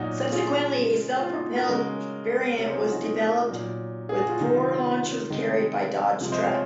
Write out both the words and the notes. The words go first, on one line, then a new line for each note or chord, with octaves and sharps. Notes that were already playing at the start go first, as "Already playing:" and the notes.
Subsequently a self-propelled variant was developed, with four launchers carried by Dodge truck.
Already playing: A#2 F#3 D#4 F#4
F4 G#4
C#3 G#3
F#4
F4
D#4 F#4
F#4 A#4
C#3 G#3
C3 F#3 A#4 C#5
G#4 C5
F4 G#4
D#4 F#4
D#4
A#2 F#3
G#4
F#4
F4
C3 D#3 F#3 D#4
F4
F4
C3 D#3 G#3
C3 F3 G#3
C5 D#5
C#5 F5